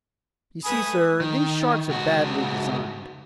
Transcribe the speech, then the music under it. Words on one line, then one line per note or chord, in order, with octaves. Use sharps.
You see, sir, these sharks are badly designed.
A3 B4 G#5 B5 D#6
D#3
C#2 F#4